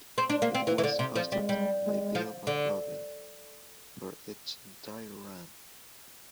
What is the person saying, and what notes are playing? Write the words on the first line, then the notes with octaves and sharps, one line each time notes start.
It was hosted by Bill McGlaughlin for its entire run.
C4
D4
A#3
C4
E3
E3
D3
C3
F3
G3
G3
F3
D3